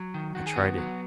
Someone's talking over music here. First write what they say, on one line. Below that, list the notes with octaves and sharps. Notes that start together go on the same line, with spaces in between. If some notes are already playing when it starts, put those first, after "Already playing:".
I tried it.
Already playing: F#3
D#3
D#3 F#4
G#4
B3 F#4
F#3